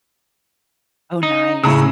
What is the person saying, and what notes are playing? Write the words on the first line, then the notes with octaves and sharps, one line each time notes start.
Oh, nice.
D#4
A2 C#3 A#5 E6